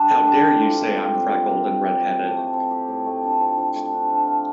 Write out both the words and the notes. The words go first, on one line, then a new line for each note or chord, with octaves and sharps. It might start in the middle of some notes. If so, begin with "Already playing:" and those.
How dare you say I’m freckled and redheaded?
Already playing: G3 D4
D3
G3
C4
F4
C3
G3
C4
F4
C3
G3
C4
G4
A2
A3
C4
G4
A2
A3
D4
F3
F3
A3
D4
F3
F3